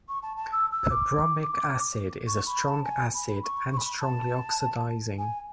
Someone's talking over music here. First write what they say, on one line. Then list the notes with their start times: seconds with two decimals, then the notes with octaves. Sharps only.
Perbromic acid is a strong acid and strongly oxidizing.
0.09 C#6
0.23 A5
0.37 A5
0.52 E6
0.72 E6
0.90 D6
2.27 C#6
2.47 B5
2.66 A5
2.85 G#5
3.14 B5
3.44 C#6
3.73 C#6
3.77 B5
4.01 A5
5.18 G#5